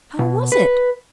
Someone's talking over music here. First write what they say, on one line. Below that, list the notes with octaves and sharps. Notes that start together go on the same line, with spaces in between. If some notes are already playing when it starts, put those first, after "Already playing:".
How was it?
B2
B4